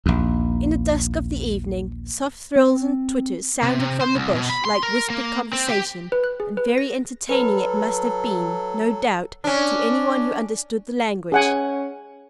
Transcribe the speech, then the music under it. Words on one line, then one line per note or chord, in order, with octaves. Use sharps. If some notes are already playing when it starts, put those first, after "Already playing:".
In the dusk of the evening, soft thrills and twitters sounded from the bush, like whispered conversation; and very entertaining it must have been, no doubt, to any one who understood the language.
A#1 D#2
C4
C3
C3
C5
C2
B2
B5
C6
A#4
A#3
C4
G4
B4
F#6
G#4
B4
A#6
F#3 A4 B4
C#4 D4
C#4 G#4 F#5 G#5